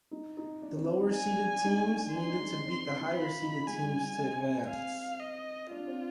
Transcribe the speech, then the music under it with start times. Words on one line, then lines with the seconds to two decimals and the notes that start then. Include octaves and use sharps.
The lower seeded teams needed to beat the higher seeded team to advance.
0.11 D#4
0.37 D#4
0.62 D4
0.75 C4
0.87 D4
1.01 D#4
1.14 D4 G#5
1.30 D4
1.47 D4
1.57 D4
1.64 D#4
1.90 D4
2.15 D4 C6
2.28 D#4
2.40 G#3
2.53 G#3
2.66 C4
2.82 D4
3.00 D#4
3.16 F4 B5
3.42 D#4
3.67 G#3 G#5
3.82 G3
3.93 G#3
4.18 G#3
4.43 C4
4.69 F5
5.20 D#5
5.71 D4 F4
5.88 C4